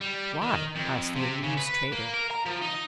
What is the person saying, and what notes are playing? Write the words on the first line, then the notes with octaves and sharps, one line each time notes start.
'Why?' asked the amused trader.
G3
D#3
F2
C3
C#3
B4
A#3
A#4
A#5
F3
D#4